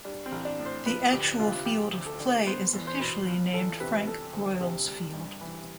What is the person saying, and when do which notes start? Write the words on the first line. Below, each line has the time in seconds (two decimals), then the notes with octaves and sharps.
The actual field of play is officially named "Frank Broyles Field".
0.05 G3 D4
0.26 C4
0.32 A1
0.45 D4
0.59 A2
0.66 C5
0.86 F3 B4
1.13 D2 G4
1.39 C3 F4
1.65 F3 G4
1.92 D2
2.06 A4
2.20 D3
2.47 B3 C5
2.73 E2
2.87 C5
3.00 B2
3.27 F3
3.53 E2 A4
3.80 C3 B4
4.07 G3 A4
4.33 D2
4.61 C3
4.88 G3
5.14 G2
5.41 E3